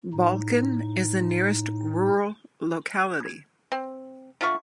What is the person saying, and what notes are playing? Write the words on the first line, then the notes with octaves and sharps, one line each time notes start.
Balkan is the nearest rural locality.
A2 D#4
C4
D3 F4 E5 C#6